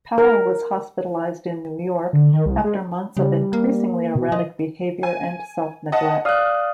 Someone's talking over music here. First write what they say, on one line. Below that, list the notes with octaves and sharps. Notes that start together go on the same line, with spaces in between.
Powell was hospitalized in New York after months of increasingly erratic behavior and self-neglect.
A#4
D3
D#3
C2
G#3
C#3 G3
A#3
B2
F3 D#5
G#5
D#5 F#5 A5
D5 F5 D#6 F6 F#6